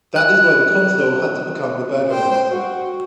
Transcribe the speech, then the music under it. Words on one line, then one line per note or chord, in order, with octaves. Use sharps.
That is why the consul had to become the burgomaster.
F#6
C5 G5
F#4